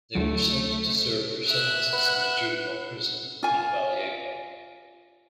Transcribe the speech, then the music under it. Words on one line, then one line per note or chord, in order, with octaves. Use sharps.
They were sent to serve their sentences in the Juvenile Prison in Valjevo.
D2 D3 F#3 A3
E5 F#6
B4 F#5
F4 G#5